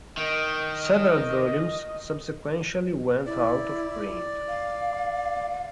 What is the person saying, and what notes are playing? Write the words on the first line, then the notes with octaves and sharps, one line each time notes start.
Several volumes subsequently went out of print.
D#3 D#5
E4 D5
F5